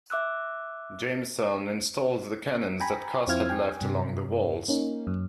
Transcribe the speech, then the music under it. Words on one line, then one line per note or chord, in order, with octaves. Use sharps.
Jameson installed the cannons that Cos had left along the walls.
E5 D6 E6 F#6
G5 G#5 A#5 B5
F2 C4 E4 F4 F6 G#6
G5 G#5
G2 C3
A#3 C#4 D#4
F#2